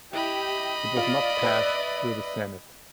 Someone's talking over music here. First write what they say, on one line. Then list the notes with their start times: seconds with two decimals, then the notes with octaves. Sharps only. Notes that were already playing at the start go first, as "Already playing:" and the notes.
It was not passed through the Senate.
0.13 E4 G4 D#5 B5
0.97 F4 D5
1.43 B4 E5 F#6